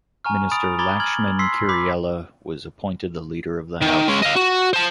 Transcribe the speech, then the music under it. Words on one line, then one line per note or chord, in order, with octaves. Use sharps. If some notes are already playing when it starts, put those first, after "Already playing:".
Minister Lakshman Kiriella was appointed the leader of the house.
G#5 A#5 C#6 F6
B5 D#6 A6 D7 F7
A#5 B5 D6 G#6 A6 G7
F6 G#6 F#7
C6 E6 B6 C7
B5 D6 B6
D#3
G#3 C#4
D#5 F5
F#4
C5 A5